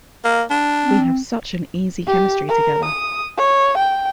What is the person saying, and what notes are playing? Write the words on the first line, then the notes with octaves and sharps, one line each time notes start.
We have such an easy chemistry together.
A#3
D4
C4
G4
A#4
D#6
C#5
G5